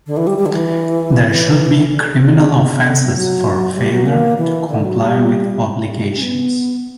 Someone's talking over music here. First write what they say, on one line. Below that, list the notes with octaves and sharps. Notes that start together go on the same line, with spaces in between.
There should be criminal offences for failure to comply with obligations.
D3
E3
G3
G3
D3
E3
E3
D3
C#3
C#3
C#3
D3
F#3
F#3
G3
F#3
A#3
E3
D3
F#3
G3
G3
C#4
B3